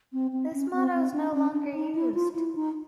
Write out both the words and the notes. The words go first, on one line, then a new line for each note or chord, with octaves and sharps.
This motto is no longer used.
C4
C4
C#4
C4
C4
D4
C#4
D4
D#4
E4
F4
E4
D#4